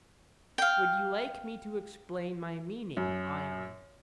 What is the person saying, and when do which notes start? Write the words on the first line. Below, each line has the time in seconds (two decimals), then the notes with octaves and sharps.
Would you like me to explain my meaning, Ion?
0.58 F5 G5
2.97 F#2